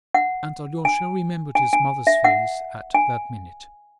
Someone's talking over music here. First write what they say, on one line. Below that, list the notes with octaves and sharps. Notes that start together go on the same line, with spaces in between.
And Alyosha remembered his mother's face at that minute.
F#5
G#5
G#5
G#5
E5
F#5
G#5